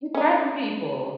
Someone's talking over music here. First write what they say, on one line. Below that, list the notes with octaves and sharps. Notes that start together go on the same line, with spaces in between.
to threaten people?
C#4 D#4